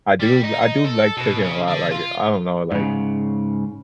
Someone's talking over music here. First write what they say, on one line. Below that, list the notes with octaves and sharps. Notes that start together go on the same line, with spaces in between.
I do I do like cooking a lot, like, I don't know, like, m
G3
D#4
A4
B2
C#3
D3
F4
G#2 C#3